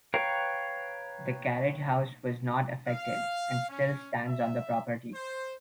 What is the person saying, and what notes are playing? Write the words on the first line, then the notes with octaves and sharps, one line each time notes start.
The carriage house was not affected, and still stands on the property.
B4 C#5 F5 G5 A#5
F5
C#4
E5
C5